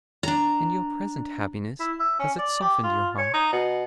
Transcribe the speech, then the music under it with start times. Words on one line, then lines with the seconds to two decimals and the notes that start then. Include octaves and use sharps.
"And your present happiness, has it softened your heart?"
0.23 D4 A#5
1.80 E4
2.00 E5
2.19 C#4
2.39 D5
2.62 G4
2.83 F4
3.18 C#5
3.34 D#4
3.53 B2